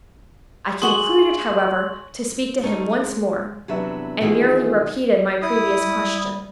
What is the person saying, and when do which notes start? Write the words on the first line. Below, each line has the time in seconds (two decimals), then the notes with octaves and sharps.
I concluded, however, to speak to him once more, and merely repeated my previous question.
0.82 F#4 G#4 C6 C#6 F#7
2.63 A3 C#4 D#4
3.01 G#3
3.68 E2 C3 F#3 D4 B4 E5
4.21 B2 D#3 E3 F4 G#4
5.42 E4 D#6
5.84 G3